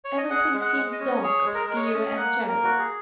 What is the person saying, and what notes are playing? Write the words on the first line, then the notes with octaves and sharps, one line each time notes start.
Everything seemed dark, obscure, and terrible.
C#5
D#5
G#4 F#5
G#3
F#5
G#3
D#5
C#4
G#4 C#5
G#3
A#4
G#3 A#4
C#5
D#5
C#4
D#5
A#3 F#5
A#3
A#4
F#4
G#4